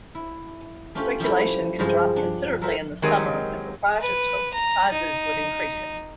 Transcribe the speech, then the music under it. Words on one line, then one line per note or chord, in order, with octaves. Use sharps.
Circulation could drop considerably in the summer and proprietors hoped prizes would increase it.
E4
A3 C#4 D4 F4 G4
F3 G3 A3 E4
G2 C#3 F3 G#3 C5
D4
A4 A#4 C5 E5 F#5 G#5
D#3 F#3 G#3 C4 G4 A#4
B4
A#5
D#4